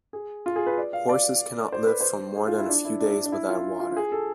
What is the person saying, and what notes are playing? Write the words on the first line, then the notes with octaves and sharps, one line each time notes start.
Horses cannot live for more than a few days without water.
G#4
F4
G#4
B4
D5
F5
D5
C5
B4
C5
G#4
F4
E4
D4
E4
D4
D4
E4
F4
F4
F4
G#4
A4